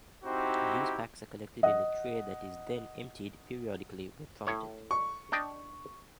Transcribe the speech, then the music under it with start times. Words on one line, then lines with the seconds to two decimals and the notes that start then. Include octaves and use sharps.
Used packs are collected in a tray that is then emptied periodically when prompted.
0.24 C4 D#4 E4 F#4 G4
1.63 D#5 F#5
4.47 A2 C#5
4.91 C#6
5.32 D4 D#5 G5